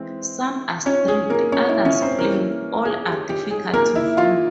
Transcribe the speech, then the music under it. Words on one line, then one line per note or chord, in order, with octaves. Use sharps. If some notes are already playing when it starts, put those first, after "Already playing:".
Some are streaked, others plain, all are difficult to view.
Already playing: E3 G#3 C4
C#4 C#5
G#4
A#3 A#4
C#4 C#5
E4 E5
C#4 C#5
C4 C5
E3 A#3 C#4 A#4
G#4
G4
G4
G#4
A#3 A#4
E4 E5
F4 F5